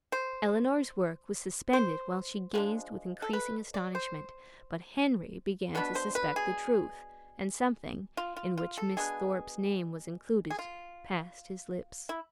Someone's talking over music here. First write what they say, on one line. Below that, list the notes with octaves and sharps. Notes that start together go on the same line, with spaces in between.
Eleanor's work was suspended while she gazed with increasing astonishment; but Henry began to suspect the truth, and something, in which Miss Thorpe's name was included, passed his lips.
C5
C5
F3 G#3 B3 D4
A4
B4
D5
C5
B2 B3 D4 B4
C5
B4
G#4
F4
F4
F4
A4
B2 B3 D4 G#4
G#4
F4
E4